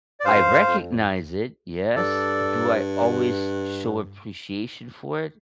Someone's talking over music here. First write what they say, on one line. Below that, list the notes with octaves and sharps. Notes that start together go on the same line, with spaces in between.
I recognize it, yes. Do I always show appreciation for it?
D5
G2 C5 F5
F2
G2
F2
G2 A4 D5